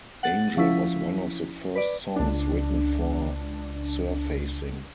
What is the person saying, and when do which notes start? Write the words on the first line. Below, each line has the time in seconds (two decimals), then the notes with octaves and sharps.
"Angel" was one of the first songs written for "Surfacing".
0.23 F#5 A6
0.57 F3 C#4 E4 B6
1.75 B4 D5
2.16 C#2 D4